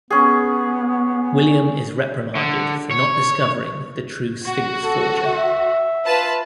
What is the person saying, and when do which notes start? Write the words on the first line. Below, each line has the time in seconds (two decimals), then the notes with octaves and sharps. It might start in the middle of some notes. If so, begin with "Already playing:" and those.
William is reprimanded for not discovering the true Sphinx forger.
0.10 B3 C#4 G#4
2.35 D3
2.91 C#5
4.44 F#4
4.84 A4
5.26 E5
6.05 F4 B4 A5